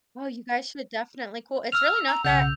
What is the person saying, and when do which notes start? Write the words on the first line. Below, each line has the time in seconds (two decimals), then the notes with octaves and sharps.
Well, you guys should definitely cool it's really not that
1.72 E6 F6 F7
2.07 A#5
2.25 B1 C#3 F#5 G6 F7